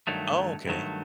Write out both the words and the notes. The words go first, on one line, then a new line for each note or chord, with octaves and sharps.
Oh, okay.
G2 D#3 F#3 A3
G2 D#3 F#3 A3